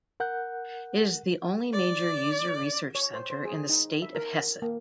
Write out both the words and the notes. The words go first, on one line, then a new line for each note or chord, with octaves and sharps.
It is the only major user research center in the State of Hesse.
A#4 F#5 F#6 G6
D5
C#5
C5
C5
G#4
D#4
E5
A#4
A#3